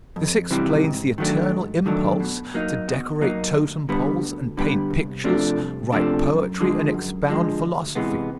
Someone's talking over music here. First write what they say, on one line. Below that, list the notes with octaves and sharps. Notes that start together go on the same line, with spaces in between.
This explains the eternal impulse to decorate totem poles and paint pictures, write poetry and expound philosophy.
F2
C3 E3 G3 C4
G#2
D#3 F#3 A3 D4
G#2
D#3 F#3 A3 D4
B2
F#3 A#3 D#4
B2
F#3 A#3 D#4
D2
D3 G3 B3
D2
D3 G3 B3
C2
C3 F3 A3 D4
C2
C3 F3 A3 D4
F#2
D3 F3 G#3
F#2
D3 F3 G#3
D2
C3 E3 G#3 B3